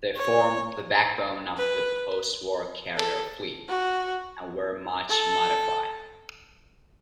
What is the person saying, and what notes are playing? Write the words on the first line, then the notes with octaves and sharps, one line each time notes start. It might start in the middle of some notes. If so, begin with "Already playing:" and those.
They formed the backbone of the postwar carrier fleet, and were much modified.
C#5
B4
A4
F#4
A4